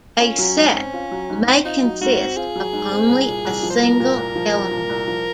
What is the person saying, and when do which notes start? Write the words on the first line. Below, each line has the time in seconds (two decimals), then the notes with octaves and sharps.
A set may consist of only a single element.
0.20 C#4 F4
0.38 F#3
0.58 G#2
0.75 C4
0.94 F4
1.11 F#3
1.30 G#2
1.47 C4
1.65 D#4 F4
1.83 F#3
2.01 G#2 F#4
2.19 C4
2.37 F4 G#4
2.56 F#3
2.73 G#2
2.91 C4
3.09 C2
3.28 A#2
3.45 C2
3.63 F3
3.70 C5
3.81 C2 A#4
4.00 A#2
4.18 C2
4.35 F3
4.54 C2
4.71 A#2
4.90 C2
5.08 F3